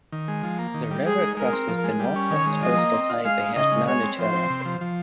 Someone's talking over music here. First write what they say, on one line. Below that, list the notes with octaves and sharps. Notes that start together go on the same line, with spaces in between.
The river crosses the North West Coastal Highway at Nanutarra.
D#3
G#3
F3
A#3
D#3
G3
G#3 G#4
D#4
G#3 A#4
C4
F3
G#3
G3
C#4
D#3 C#5
G#3
F3 D#5
A#3
C4
F4
G#3 F5
D#4
C#3 D#5
G#3
G#3 C#5
C4
F3 C5
C4
C3
F3
F3